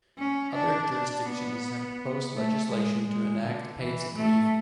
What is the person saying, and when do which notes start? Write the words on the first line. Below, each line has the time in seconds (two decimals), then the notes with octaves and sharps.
Other jurisdictions have proposed legislation to enact paid sick leave.
0.18 C#4
0.54 D4
0.90 D4
1.26 B3
2.34 A3
2.70 G#3
3.07 G#3
3.42 D3
3.78 E3
4.15 A3